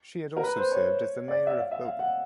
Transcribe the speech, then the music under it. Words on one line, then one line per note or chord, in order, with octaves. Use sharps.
She had also served as the mayor of Bhopal.
A#4
B4
C5
C#5
D5
E5
F5
E5
F5
F#5